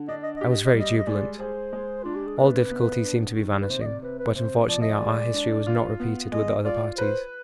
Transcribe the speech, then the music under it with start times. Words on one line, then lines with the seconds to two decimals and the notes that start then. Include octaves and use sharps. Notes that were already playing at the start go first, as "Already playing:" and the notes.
I was very jubilant; all difficulties seemed to be vanishing; but unfortunately our history was not repeated with the other parties.
Already playing: D3
0.08 D4 D#5
0.23 D#5
0.37 D#5
0.41 G4
0.51 D#5
0.65 D#5
0.74 G3
0.79 D#5
0.97 D#5
1.07 G#3 D5
1.39 G#4 C5
1.73 G#3
2.03 D4 F4
2.15 G4
2.27 G#4
2.38 C3 B4
2.71 B3
3.04 D4
3.37 D#3
3.61 B4
3.70 C3 C5
3.82 D#5
3.86 D5
4.03 C4 B4
4.19 B4
4.35 C3 C5
4.68 F3 D5
4.82 D#5
4.95 D5
5.01 G#3
5.34 D4
5.67 F4
6.00 B3
6.32 G#3 D#5
6.65 F4 D5
6.98 B4 C5